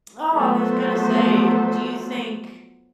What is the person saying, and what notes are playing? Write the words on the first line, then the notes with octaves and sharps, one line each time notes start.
Oh, I was gonna say, do you think
F3 F#3 A3 B3 A4 C5